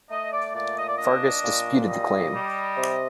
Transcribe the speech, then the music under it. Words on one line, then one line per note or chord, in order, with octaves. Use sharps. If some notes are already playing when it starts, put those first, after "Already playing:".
Fargas disputed the claim.
A3 D#5
D5
A#2 D5
D#5
D5
D4 D#5
A#2
G3 D#5
G3
C3